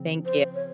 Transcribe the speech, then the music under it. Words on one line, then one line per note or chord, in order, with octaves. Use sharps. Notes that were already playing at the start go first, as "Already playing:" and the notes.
Thank you.
Already playing: C#3 F3 C4
C5
C#5